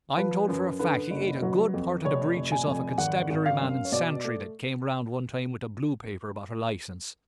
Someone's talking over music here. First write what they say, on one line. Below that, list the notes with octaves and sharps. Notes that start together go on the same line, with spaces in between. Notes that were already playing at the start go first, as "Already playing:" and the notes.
I'm told for a fact he ate a good part of the breeches off a constabulary man in Santry that came round one time with a blue paper about a licence.
F3 B4
F#2 B4
D3 B4
F#1
F#3
F2
F1 C#5
F1
G#5
F2
G#1 F#5
G#1
F5
F#2
C#5
B2 D5
A3